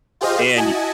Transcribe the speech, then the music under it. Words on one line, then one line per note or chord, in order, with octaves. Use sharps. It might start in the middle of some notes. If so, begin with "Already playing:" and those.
And y
F4 G4 G#4 C5 D#5 F5
E4 F#4 D#5 G#5 A5